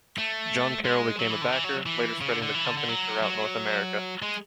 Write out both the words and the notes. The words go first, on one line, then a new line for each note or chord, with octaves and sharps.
John Carrol became a backer, later spreading the company throughout North America.
A3
G#3
F#3
E3
D3
E3
F#3
E3
C#3
D3
D3
E3
D3
D3
F#3
F#3
G#3